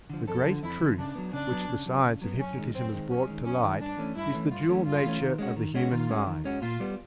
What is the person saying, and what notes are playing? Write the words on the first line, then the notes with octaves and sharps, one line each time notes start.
The great truth which the science of hypnotism has brought to light is the dual nature of the human mind.
D3 F3
F2 A4
D3 F3
F2 E4
D3 F3
C#3 D4
F#3 B3
C#3 D4
F#3 B3
C#3
F#3 B3
C#3
F#3 B3
F#2 C#4
D#3 G#3
F#2 C4
D#3 G#3
F#2 C#4
D#3 G#3
F#2 C#4
D#3 G#3
G2 D4
E3 A3 C#4
G2 E4
E3 A3 C#4
G2 F4
E3 A3 C#4
G2 F4
E3 A3 C#4
D#3
G#3 C#4 F#4
D#3
G#3 C#4 F#4
D#3 F4
G#3 C#4 F#4
D#3
G#3 C#4 F#4
A#2 F4
G3 B3